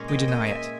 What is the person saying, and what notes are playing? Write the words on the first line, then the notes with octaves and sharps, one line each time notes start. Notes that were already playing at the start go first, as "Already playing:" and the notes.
We deny it.
Already playing: A#2 G#3 C#4 C#5
D#5 G5
D#5 G5
E5 G#5